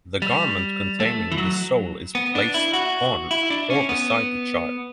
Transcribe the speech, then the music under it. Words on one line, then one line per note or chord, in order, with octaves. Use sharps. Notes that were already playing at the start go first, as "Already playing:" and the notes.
The garment containing the soul is placed on or beside the child.
G3
A3
E3
F#3
B3
D4
E4
F#4
E4
D4
C#4
B3